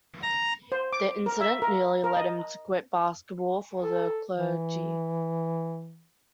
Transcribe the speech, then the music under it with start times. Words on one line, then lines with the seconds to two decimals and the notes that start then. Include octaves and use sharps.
The incident nearly led him to quit basketball for the clergy.
0.23 A#5
0.72 C5
0.93 D6
1.26 A#4
1.41 E5
1.62 A#4
2.04 A#4
2.17 D#5
3.82 A4
4.35 E3